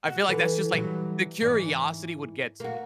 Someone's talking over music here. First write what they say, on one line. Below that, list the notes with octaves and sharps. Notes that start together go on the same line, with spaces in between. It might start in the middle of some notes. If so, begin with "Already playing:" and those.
I feel like that's just, like, the curiosity would get to me,
F#4
E3 A4 B4
E3 F#3 G3
G#2 E3 D5
A#3 F#4